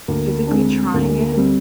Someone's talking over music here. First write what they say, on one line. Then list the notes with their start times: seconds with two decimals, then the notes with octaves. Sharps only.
physically trying it
0.08 D2 A#3
0.47 D4
0.51 G#3 C4
0.94 D2 A#3
1.33 A#3
1.37 G3 C4